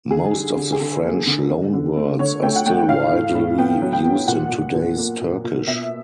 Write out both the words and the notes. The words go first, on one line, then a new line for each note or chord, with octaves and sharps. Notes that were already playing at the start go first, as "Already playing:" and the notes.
Most of the French loanwords are still widely used in today's Turkish.
D3 G#4
G3
D3
G#4
D3 A4
A#3
D3
D3
D3
A3
D3 C#5
A3 G5
F#5
A3 G5
A2 F5
A2
A2
B3 G5
F#3
G5
B3
A#2 F#5
A#2
A#2
A#3
A#2
A#2
B2 E5